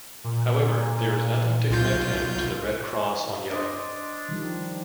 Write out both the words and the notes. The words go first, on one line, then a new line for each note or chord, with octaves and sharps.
However, there is nothing to connect him to the red cross on yellow.
A#2
B1 F4 G6
D4 C5 D#5
D#3 F3 G3